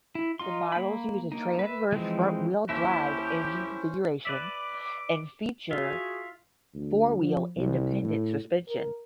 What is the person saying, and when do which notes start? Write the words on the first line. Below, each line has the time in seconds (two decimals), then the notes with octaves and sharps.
The models use a transverse front-wheel drive engine configuration and feature four-wheel independent suspension.
0.15 E4
0.39 D#4 F4 C6
0.72 A#3 B5
1.32 A#3 D#4
1.59 B4 E5
1.92 E3 F3 G#3 C4 D#4
2.69 D#2 C#4 E4 G4 C5 E5
4.25 B4 D5 E5 D6
5.71 F4 F#4 G#4 E5 F5
6.74 D2
7.21 F3
7.57 C2
8.03 A2
8.69 A#4